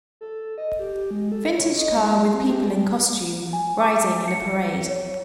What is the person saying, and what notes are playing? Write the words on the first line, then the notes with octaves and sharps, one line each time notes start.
Vintage car with people in costume riding in a parade.
A4
D#5
G4
G4
G#3
A4
C#5
D#5
G#3
C4
G4
G#5
D6
C#7
C#5